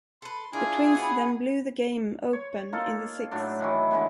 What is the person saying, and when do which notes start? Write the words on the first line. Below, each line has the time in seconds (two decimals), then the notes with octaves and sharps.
The Twins then blew the game open in the sixth.
0.22 A4 B4 C6
0.53 D4 E4 F4 G#4 A#4
0.95 B3 F#4 B4
2.33 C#5
2.73 A#3 D#4 F4 A4
3.31 A2 F#3 A3 D4
3.59 A2 D#3 E3 F#3
3.91 D3 E3 G#3 B3